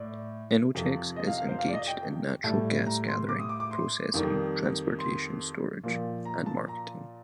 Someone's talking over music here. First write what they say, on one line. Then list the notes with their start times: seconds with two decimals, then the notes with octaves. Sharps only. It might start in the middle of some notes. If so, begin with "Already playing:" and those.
Enogex is engaged in natural gas gathering, processing, transportation, storage and marketing.
Already playing: A2 D5
0.75 F2 C3 F3
1.16 D#5
1.27 F5
1.38 F5
1.49 C5
1.59 F5
1.68 D5
1.73 D#5
1.87 G5
2.44 A2 G3 A5
2.86 A#5
3.08 C6
3.29 D6
3.39 D#6
3.49 D6
3.60 D6
3.71 C6
4.14 F2 D#3 G3
4.99 C6
5.84 A#2 F3
6.25 A#5
6.46 A5
6.68 A#5